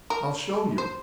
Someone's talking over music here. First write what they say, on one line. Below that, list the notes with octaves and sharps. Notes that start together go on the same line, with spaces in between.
I'll show you.
A#4
C5